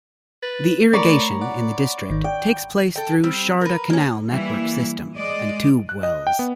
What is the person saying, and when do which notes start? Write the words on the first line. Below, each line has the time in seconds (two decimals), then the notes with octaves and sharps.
The irrigation in the district takes place through Sharda Canal network system and tubewells.
0.43 B4 A6
0.93 A3 A#4 C#5 D5 A#5 B5
1.41 D5 F#5
2.09 G#1 D#3
2.24 D5 G5
2.96 A4 G5
3.24 G3 C4
3.61 A#4 B4
3.90 A#3 C#4
4.30 E3 G3 A#3 E4
5.14 G#3 D5 D#5
5.89 F#6
6.03 D#5
6.27 G5
6.39 B3